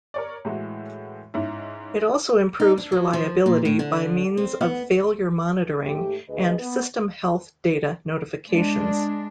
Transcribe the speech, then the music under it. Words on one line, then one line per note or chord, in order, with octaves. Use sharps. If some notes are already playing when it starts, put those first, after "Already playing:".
It also improves reliability by means of failure monitoring and system health data notifications.
A#4 C#5 D5
A2 E3 G#3 E4 F#4
G#2 C#4 D#4 E4
D#4
D4
F#3
F3
A#2
A2
D3
C4
B3
G#2 A3 G4
D2 G#4 B4 D#5
B3
G#3 D4